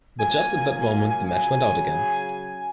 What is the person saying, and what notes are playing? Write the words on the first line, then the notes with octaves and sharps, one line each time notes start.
But just at that moment the match went out again.
A#2 F#3 G#5
G#5
G#5
C#3 F#3 G#5